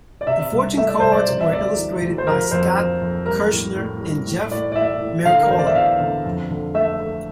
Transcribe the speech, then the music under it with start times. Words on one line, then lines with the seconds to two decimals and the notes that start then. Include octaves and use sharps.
The Fortune cards were illustrated by Scott Kirschner and Jeff Miracola.
0.21 D5
0.27 C3 E5
0.53 C2
0.77 A3 E5
0.88 D5
1.00 C2 C5
1.12 D5
1.27 C3 D5
1.41 E5
1.52 D2 D5
1.77 E3
2.02 D2
2.18 C5
2.27 F3 A#4
2.51 F2 C5
2.77 F3
3.01 F2
3.26 G3 A#4
3.51 A2
3.76 A2
4.01 G3
4.26 A2
4.51 A2 D5
4.72 D5
4.76 A2 E5
5.00 A2
5.25 D3 F5
5.41 A#4
5.50 E2 C5
5.59 D5
5.67 E5
5.75 E2 F5
6.00 D3
6.25 F2
6.51 D3
6.74 A3 E5
7.00 A3